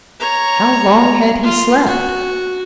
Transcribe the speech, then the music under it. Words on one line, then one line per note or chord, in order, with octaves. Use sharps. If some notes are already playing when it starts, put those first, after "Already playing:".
How long had he slept?
C#5 A#5
F4
F#4